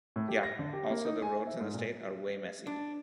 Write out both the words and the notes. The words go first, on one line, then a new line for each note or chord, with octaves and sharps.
Ya. Also the roads in the state are way messy.
A2
G4
A#6
D3
G4
A#3
D#4
G#5
E5
G#2
A#2
D4